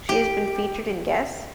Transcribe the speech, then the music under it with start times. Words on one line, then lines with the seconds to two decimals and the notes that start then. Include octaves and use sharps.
She has been featured in Guess?
0.09 G4